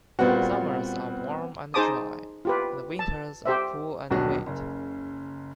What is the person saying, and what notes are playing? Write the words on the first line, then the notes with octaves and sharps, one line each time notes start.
Summers are warm and dry, and winters are cool and wet.
A#2 G3 B3 C4 F#4
D#4 G#4 C5 A5 D6 D#6
F4 G4 B4
A5
G4 C5 E5
D#1 B1 F#3 D4 F#4
F#1 C#3